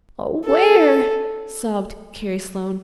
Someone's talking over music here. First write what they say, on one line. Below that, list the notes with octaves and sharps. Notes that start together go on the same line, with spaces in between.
"Where?" sobbed Carrie Sloane.
A4